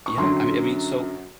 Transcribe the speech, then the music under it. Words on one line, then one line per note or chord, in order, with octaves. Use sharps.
Yeah, I mean I mean, so
C#6
F#2 D3 F#3 C6